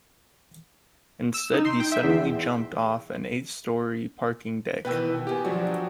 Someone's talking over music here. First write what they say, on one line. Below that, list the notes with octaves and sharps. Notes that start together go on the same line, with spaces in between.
Instead he suddenly jumped off an eighth story parking deck.
E6
D#4
C6
G5
E5
E2
B2 D#3 E3 B4 G5 E6
D#3 B3 G4 G#5
G2 D3 F3 F#3 F#4 G4